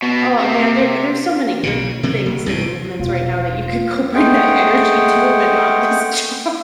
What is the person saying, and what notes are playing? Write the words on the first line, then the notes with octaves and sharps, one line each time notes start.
"Oh man, there there's so many good things and movements right now that you could go bring that energy to, but not this job.
B2
C3
B1 A#2 C#3
C3 F#3 A#3
F#1
C2 G2 B2
E1 F4
G#3 A3 G#4 F#5 G5